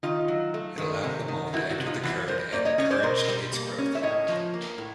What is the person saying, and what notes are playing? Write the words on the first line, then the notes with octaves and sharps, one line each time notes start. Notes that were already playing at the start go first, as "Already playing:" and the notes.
It allowed the mold to enter the curd and encouraged its growth.
D#3 D#4 F4
F#3
A3
D#3
C3
D#3
G3 E4 F#4
E4 F#4
C3
D#4 F4
E3 E4 F#4
G3 A#4 C5
A#3 C5 D5
C#5 D#5
C#4 C#5 D#5
C5 D5
B2 A#4 C5
G3
A#3
C#4
E5
A2 C#5 D#5
F3
A#3
A2